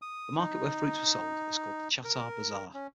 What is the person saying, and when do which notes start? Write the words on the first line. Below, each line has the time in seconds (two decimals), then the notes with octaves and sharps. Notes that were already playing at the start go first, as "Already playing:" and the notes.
The market where fruits were sold is called chatar bazar.
0.02 D#6
0.39 D#4
2.04 A#4
2.74 C#4